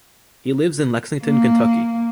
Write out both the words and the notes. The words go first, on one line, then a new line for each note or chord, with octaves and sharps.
He lives in Lexington, Kentucky.
A#3